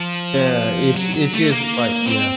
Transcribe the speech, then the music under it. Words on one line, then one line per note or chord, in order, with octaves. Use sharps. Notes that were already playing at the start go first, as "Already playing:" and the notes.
Yeah, it's it's just, like yeah.
Already playing: F3
F#3
F#3
A3
A#3
C4